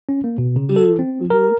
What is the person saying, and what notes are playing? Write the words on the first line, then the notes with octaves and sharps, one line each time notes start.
Mm, mhm.
C#4
A#3
B2
C#3
A4
C4
A#4